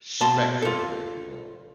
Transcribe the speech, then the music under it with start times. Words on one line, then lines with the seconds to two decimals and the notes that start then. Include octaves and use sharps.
sh spectrum here, if you will,
0.21 B2 A5 C6
0.62 F4 A4